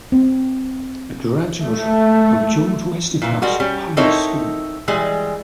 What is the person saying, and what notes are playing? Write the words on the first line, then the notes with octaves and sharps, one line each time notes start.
A graduate of George Westinghouse High School.
C4
A3
A#2 E3
G3 G#3 F#4 A#4
G3 C#4 G4
C4 D#4 E4 A4 A#4 C#5
E3 G3 G#3